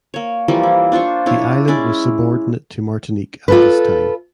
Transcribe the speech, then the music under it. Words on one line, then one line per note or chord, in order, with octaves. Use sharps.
The island was subordinate to Martinique at this time.
A#3 C#5
E3 F3 G3 A#3
E4
D4 F4 C5 C#6
D4 E4 C#5
G#3 C#4 E4 D5
F4 A4 B4